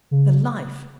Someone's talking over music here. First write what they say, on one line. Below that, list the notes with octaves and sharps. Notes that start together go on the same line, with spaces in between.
The life!
C#3